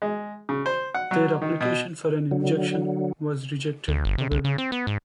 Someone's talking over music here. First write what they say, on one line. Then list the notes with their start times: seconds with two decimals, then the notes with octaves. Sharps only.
Their application for an injunction was rejected however.
0.02 G#3
0.49 C#3
0.66 C5
0.94 F#5
1.11 F#3
1.42 D#3
1.60 B2
2.31 D3 F#3
3.88 D2
4.05 G1
4.18 C3
4.31 C2
4.44 C#3
4.58 C4
4.72 B3
4.87 G#2